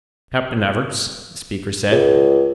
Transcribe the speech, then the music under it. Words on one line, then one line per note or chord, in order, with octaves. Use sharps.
"Captain Everts," the speaker said.
C#2